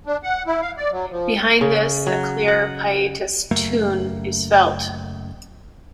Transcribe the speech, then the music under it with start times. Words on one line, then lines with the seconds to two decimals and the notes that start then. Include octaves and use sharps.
Behind this a clear pietist tune is felt.
0.06 D4
0.23 F#5
0.47 E4
0.62 F5
0.77 D5
0.91 F#3
1.11 F3
1.61 C#3
2.07 F#3
2.48 F#5
3.51 F#1 F#2 A3 A#3